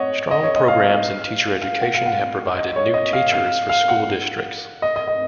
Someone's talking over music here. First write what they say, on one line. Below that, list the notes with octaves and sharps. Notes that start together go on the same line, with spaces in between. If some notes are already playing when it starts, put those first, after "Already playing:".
Strong programs in teacher education have provided new teachers for school districts.
Already playing: C#5 D#5 F#5
D#5
C#5
D#5
F5
F5
F#5
F5
F#5
D#5
D#5
C#5
D#5
F5
F5
F5
F#5
D#5
D#5
D#5